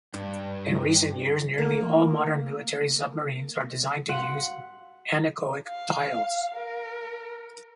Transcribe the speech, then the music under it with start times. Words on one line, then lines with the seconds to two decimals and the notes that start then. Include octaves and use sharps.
In recent years, nearly all modern military submarines are designed to use anechoic tiles.
0.14 G2
1.58 A3 A#3 A#4
4.09 F#4 F5 F#5
5.68 F5
6.55 A#4